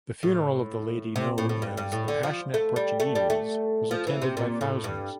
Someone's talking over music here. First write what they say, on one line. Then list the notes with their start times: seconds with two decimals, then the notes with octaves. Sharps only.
The funeral of the lady known as the "Passionate Portuguese" was attended by thousands.
0.23 A2
1.16 C3
1.38 A2
1.49 A2
1.62 G2
1.77 G2
1.92 A2
2.08 D3
2.23 F3
2.54 A3
2.76 G3
3.00 A3
3.15 G3
3.30 A3
3.91 F3
4.07 E3
4.22 C3
4.37 A#2
4.61 A2
4.84 G2